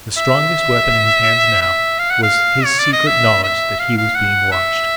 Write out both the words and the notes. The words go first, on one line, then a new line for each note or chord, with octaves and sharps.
The strongest weapon in his hands now was his secret knowledge that he was being watched.
E5
E5
F5
F#5
F5
C#5
D5
D#5
E5
E5
F5
F5
F#5
E5